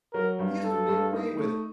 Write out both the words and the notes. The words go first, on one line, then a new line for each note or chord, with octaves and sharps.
He has been made away with.
F#3 A#4
G2
G2 A4
G2
D#4
A3